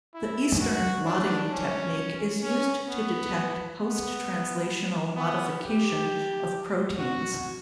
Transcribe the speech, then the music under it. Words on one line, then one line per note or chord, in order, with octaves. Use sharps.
The Eastern blotting technique is used to detect post-translational modification of proteins.
E4
F#4
D4
C#4
C#4
B3
B3
B3
G4
F#4